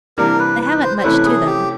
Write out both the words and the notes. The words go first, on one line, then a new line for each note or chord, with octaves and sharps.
They haven't much to them.
C3 E3 G3 A#3 D4 A#4
B4
B4
C5
C5
C3 E3 A3 C#4 E4 B4
G#4
G4